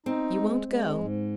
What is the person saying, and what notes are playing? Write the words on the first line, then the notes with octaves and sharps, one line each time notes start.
You won't go.
C4 D#4
G#3
G#3
G#2